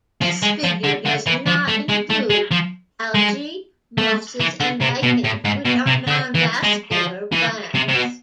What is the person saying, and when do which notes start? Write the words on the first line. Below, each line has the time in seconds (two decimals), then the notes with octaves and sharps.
This figure does not include algae, mosses, and lichens, which are non-vascular plants.
0.22 F3
0.42 G#3
0.64 F3
0.84 D3
1.06 D3
1.26 E3
1.46 F3
1.68 A3
1.89 G#3
2.10 A3
2.30 G#3
2.51 F3
3.14 G#3
3.98 A3
4.40 E3
4.60 D3
4.81 C3
5.03 B2
5.24 A2
5.44 G#2
5.65 B2
5.87 C3
6.07 D3
6.35 E3
6.64 G#3
6.91 F3
7.32 E3
7.75 C3
7.89 C3
7.95 B2